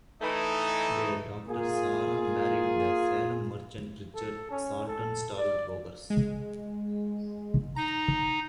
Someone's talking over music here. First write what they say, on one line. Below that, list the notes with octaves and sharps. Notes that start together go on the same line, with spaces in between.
Their daughter Sarah married the Salem merchant Richard Saltonstall Rogers.
E3 A3 D#4
A#3 F4 G#4
A4
C#4
A4
D5
G#3
D#4 A#5